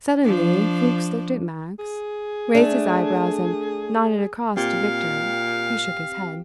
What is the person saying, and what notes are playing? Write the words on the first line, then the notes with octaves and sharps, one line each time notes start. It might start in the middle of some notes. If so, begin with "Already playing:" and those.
Suddenly Fuchs looked at Max, raised his eyebrows and nodded across to Victor, who shook his head.
F3 D4
G#4
A3 D4
A#2 C4 G4 F5 G5